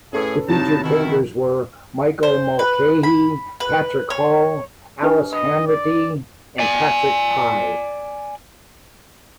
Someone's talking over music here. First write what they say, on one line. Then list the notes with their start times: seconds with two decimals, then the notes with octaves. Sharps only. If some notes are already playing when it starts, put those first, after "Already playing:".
The featured painters were Michael Mulcahy, Patrick Hall, Alice Hanratty and Patrick Pye.
0.13 A2 C#4 G#4 A4 B4
0.48 G2 C3 F#3 D#4 E4 A5
0.83 B2 D#3 E4
2.23 C5
2.59 B4
3.03 B5
3.60 B4
4.10 C#5
5.02 D4 G4 B4
5.33 D#5 B5
5.67 D5
6.59 D5 G#5